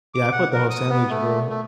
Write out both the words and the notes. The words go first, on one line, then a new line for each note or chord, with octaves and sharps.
Yeah, I put the whole sandwich, bro.
D6
F#5
A#4
D#6
B3
A3
A3